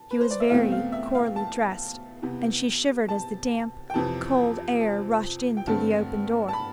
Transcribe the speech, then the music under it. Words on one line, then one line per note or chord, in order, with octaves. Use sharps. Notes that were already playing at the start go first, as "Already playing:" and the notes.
She was very poorly dressed, and she shivered as the damp, cold air rushed in through the open door.
Already playing: A5
B4
C5
D5
E5
E2 B2 A3 C4 F5
F5
E5
F5
A5
E2 C3 E3 B3
A5
G5
F2 C3 E3 A5
A5
G5
G2 D3 A3 C4 A5
A5
B5